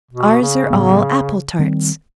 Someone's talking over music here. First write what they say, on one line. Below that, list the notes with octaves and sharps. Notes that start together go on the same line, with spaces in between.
Ours are all apple-tarts.
B2
C#3
A2 F#3 B3
D#3 G3 C4